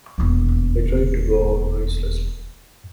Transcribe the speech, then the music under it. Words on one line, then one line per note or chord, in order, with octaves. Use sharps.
I tried to go out noiselessly.
E1 D#2